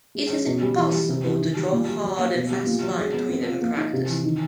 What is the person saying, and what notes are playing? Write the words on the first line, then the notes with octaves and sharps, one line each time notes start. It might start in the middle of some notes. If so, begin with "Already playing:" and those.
It is impossible to draw a hard and fast line between them in practice.
G#3
C#4
B2
G3
E3
G3
C3
E3
D#3
G3
A#2
G3
F#3
A#3
B2
G3
A#2
F#3
G#3
B3
C4
F4
A#3
D#4
C3
E3
D#3